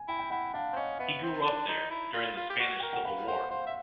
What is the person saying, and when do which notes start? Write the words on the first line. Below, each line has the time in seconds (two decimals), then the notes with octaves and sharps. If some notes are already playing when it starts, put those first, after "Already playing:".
He grew up there during the Spanish Civil War.
Already playing: G#5
0.08 E4 G5
0.19 G5
0.30 E4 F#5
0.54 D4 F5
0.73 C4
0.76 C#4 D#5
0.99 B3 E5
1.23 C4
1.45 D4
1.68 D#4
1.91 E4
2.14 F4
2.36 F4
2.50 G4
2.59 F#4
2.80 A#4 G5
2.93 F#5
3.05 B4 F5
3.27 C5 F#5
3.50 C5 F5
3.67 E5